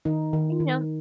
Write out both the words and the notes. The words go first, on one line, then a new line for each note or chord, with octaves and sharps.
You know
D#3 D#4
D#3
D#3